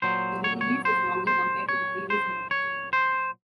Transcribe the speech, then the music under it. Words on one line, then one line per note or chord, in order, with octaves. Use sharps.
The wheelbase is longer compared to the previous model.
A#2 F#3 C5
C#5
C#5
C5
C5
C#5
C5
C#5
C5